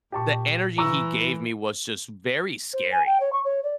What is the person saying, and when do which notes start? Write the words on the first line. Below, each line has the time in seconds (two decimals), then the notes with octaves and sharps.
the energy he gave me was just very scary.
0.12 A#2 G4 A5 C#6
0.78 E3 A#5 C#6 E6
2.73 C5
2.92 G#5
3.06 G5
3.20 C#5
3.33 C#6
3.45 C#5
3.63 D5